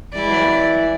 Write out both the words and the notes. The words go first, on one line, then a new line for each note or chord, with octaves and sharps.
you know.
E3 E4 D5